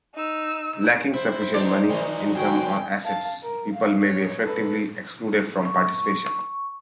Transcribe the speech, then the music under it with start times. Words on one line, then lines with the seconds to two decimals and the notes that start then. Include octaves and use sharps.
Lacking sufficient money, income or assets, people may be effectively excluded from participation.
0.14 D#4 E6
1.14 E4 C5
1.54 E3 C4 D4 D#4 C#5 D5
1.90 D#3 F3 F#3
2.35 D3 F#4 G5 G#5
3.05 F5 A5
3.43 A#4
3.73 F5
4.05 C#5
4.44 A4 B4
5.65 C#6